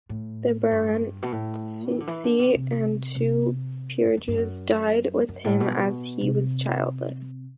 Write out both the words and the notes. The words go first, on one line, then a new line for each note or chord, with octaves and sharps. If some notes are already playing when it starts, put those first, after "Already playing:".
The baronetcy and two peerages died with him as he was childless.
A2
G2
B2
A2
E3
D3
E3
D3
C3
C3
C3
F#2
F#2
G2
F#2
F#2
A2
B2
C3